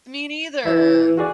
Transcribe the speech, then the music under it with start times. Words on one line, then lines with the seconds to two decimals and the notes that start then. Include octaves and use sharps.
Me neither!
0.65 E3 E5
1.17 F#4 G#4 D5